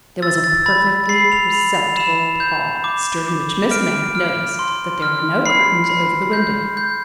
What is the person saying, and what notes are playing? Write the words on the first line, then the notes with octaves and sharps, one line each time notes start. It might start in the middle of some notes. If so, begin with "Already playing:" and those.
There was a perfectly perceptible pause, during which Miss Mapp noticed that there were no curtains over the window.
E6 A6
A6
B5 A6
B5 C7
F7
B5 F7
F7
B5 E7
G6
D6
D6
F6 D7
F6
C6
F6
B5 C7
B5
G6
G6